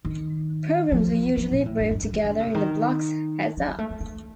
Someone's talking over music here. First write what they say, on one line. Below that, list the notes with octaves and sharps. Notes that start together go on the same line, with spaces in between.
Programs were usually grouped together in the blocks Heads Up!
D#3
F3
D#3
A#2
A2
G2
G2
G2
D#3
D3
C3
D#3
F3
G3
A3
A3
A3